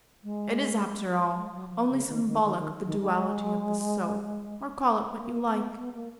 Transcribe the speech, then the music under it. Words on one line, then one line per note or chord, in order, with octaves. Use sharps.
It is after all only symbolic of the duality of the soul--or call it what you like.
G#3
G#3
F#3
F3
C#3
D#3
D#3
D#3
D#3
D#3
G#3
G#3
A#3
B3
B3
A#3